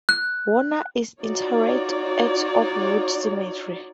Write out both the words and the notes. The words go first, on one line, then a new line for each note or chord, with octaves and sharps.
Warner is interred at Oakwood Cemetery.
F#6
D#4 F4 F#4 C#5 D5